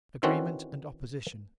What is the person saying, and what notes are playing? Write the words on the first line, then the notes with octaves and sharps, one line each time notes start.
Agreement and Opposition.
D#3 E3 C4 C#4 F#4 A4